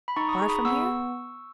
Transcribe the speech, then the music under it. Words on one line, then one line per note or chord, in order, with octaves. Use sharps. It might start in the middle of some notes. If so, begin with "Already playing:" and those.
"Far from here?"
B5
D#4 A#5 C#6
D#6
A#5 C#6
G#4
B5 D#6
B3 C#6 E6